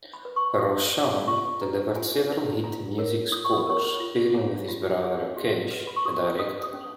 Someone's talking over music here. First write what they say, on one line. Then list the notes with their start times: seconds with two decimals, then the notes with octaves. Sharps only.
Roshan delivered several hit music scores pairing with his brother Rakesh, a director.
0.13 B5
0.25 B4
0.36 C#6
0.59 F#4 D#6
0.93 B4
1.27 F4 C#6
1.61 B4 A#5
1.95 F4 G#5
2.30 B4
2.64 F4 A#5
2.98 A#4 C#5
3.32 F4 D#6
3.45 C#6
3.58 B5
3.67 A#4 C#5 C#6
4.00 F4
4.34 G#4 C#5
4.69 F4
5.03 G#4 C#5
5.37 F#4
5.71 B4
5.87 B5
5.96 C#6
6.05 F#4 D#6
6.39 B4 D#6
6.63 D#6
6.73 C#4